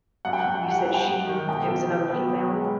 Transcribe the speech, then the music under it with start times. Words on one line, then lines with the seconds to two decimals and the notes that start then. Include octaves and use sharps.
you said she it was another female?
0.25 F#2 F#5
0.33 G5
0.40 F#5
0.46 F#2 G5
0.55 F#5
0.63 G5
0.67 G3 F#5
0.79 G5
0.86 G3 F#5
0.94 G5
1.02 F#5
1.08 F#2
1.27 D#3
1.48 B1 G5
1.68 B1
1.89 B2
2.10 B3
2.30 B3
2.51 G#3